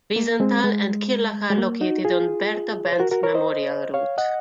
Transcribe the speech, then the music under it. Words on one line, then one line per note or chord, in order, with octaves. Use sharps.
Wiesental and Kirrlach are located on Bertha Benz Memorial Route.
A#3
G#3 C4
G#3
G#3
A#3
D#4 F#4
F4 G#4
C#5
C5
F#4 A#4
F#4 A#4
A#4 C#5
C5 D#5
C#5 F5
D#5 F#5